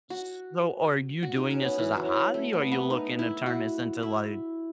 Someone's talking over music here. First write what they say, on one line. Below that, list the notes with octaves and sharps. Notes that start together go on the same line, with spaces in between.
So, are you doing this as a hobby, or are you looking to turn this into, like,
F#4
F#4
D#4
C#4
B3
E3
F#3
A3
B3
B3
D#4
E4
F#4
E4